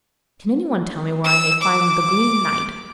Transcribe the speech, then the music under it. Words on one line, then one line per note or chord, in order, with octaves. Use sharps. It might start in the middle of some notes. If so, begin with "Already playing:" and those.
'Can anyone tell me where I may find the Green Knight?'
E6
D6